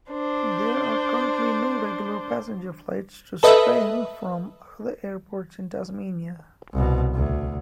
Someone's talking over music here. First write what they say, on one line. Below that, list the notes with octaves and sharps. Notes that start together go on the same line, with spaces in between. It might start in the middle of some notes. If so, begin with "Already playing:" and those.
There are currently no regular passenger flights to Strahan from other airports in Tasmania.
D4 C5
A4 B4 D#5 E5
C2 B2
D2